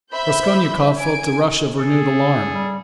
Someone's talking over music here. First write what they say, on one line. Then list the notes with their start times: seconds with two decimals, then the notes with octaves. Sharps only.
Raskolnikov felt a rush of renewed alarm.
0.13 C5 E5 B5 G6
0.96 G#5 G#6 D7
1.78 G#4 A4
2.52 G3